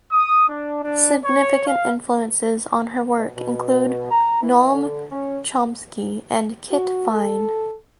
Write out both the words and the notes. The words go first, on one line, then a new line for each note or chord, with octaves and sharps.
Significant influences on her work include Noam Chomsky and Kit Fine.
D#6
D4
D4
C#5
F5
B2
B2
A#5
E3
D3
C#4
F#4
A4